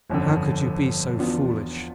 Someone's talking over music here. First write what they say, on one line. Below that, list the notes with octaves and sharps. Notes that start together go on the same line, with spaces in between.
"How could you be so foolish?"
G1 F2 D3
E2 B2 B3 D4 F4